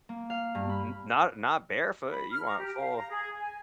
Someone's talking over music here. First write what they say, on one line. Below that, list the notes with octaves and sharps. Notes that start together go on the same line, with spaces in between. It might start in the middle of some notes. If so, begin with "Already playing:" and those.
N n not not barefoot, you want full
A#3
F5
G2
B5
B5
F6
A#5
G4
F5
A#5
G#4
G#5